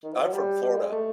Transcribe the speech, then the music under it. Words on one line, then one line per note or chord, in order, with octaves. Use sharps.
I'm from Florida.
D#3
F3
F#3
G3
G3
G#3
A3